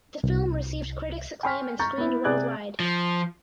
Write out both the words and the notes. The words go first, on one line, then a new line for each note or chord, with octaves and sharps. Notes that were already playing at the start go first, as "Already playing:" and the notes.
The film received critics acclaim and screened worldwide.
C2
G5 G#5 C6 C#6 F6 B6
A#5 C#6 G6 A6
B3 E4
C3 G#4 D5 F#6 G#6
F3